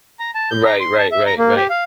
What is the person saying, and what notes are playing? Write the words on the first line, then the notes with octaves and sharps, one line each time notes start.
Right, right, right, right.
A#5
A5
G6
A#5
C6
A5
E5
A#5
A#3
G4
F5